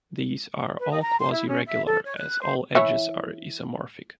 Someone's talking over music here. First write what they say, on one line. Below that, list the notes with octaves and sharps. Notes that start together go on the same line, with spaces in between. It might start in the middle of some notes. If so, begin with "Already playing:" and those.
These are all "quasi-regular" as all edges are isomorphic.
B4
D#5
A#5
C6
E4
C#4
E5
A4
C#5
F#6
C5
E3 E4 C#5